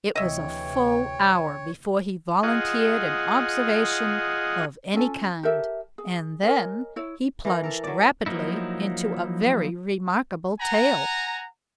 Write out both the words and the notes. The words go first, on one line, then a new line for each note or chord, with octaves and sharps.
It was a full hour before he volunteered an observation of any kind, and then he plunged rapidly into a very remarkable tale.
D2 C3 E3 C#5 D#5 E5 G5
F4 G#4 D#5 F#5
C#4 F4 A4 G#5
G4 A4 A#4 E5
G#4
A#4 C#5 D#5 G#5
E4 C#5
E3 A#4
A4 A#4
F#3 D5
F3 F#3 A#3 D#4 E4
F#5 G#5 A#5